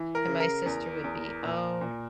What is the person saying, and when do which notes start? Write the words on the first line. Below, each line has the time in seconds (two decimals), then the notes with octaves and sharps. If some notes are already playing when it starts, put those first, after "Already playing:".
And my sister would be, "Oh,
Already playing: E3
0.15 A#4
0.27 C#3
0.40 A#4
0.66 E2
1.04 E2
1.43 A#2
1.81 A#2